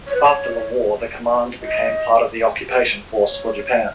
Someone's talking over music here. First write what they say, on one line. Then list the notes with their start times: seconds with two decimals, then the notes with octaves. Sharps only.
After the war the command became part of the occupation force for Japan.
0.07 C#5
0.14 B4
0.23 C#5
1.62 D#5
3.19 C#5